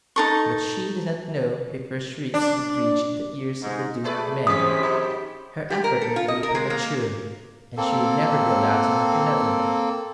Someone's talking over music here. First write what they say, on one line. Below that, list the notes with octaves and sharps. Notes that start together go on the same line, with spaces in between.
But she did not know if her shrieks would reach the ears of the doomed men. Her effort might be premature, and she would never be allowed to make another.
D#4 A4 C#6
D4
G#2
A3 G#4 B4 D5
F#2 C3 D#3 C#4 C5 D#6 B6
D#4 G4
G4
A#4
A4
F4
D#5
A#4
G#3
A#3
A#3 C4 A4